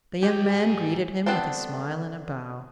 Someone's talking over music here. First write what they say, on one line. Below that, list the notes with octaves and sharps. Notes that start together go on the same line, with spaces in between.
The young man greeted him with a smile and a bow.
G4 C#5 D#5
G#2 G#4
B3 C4 D4 A4 C5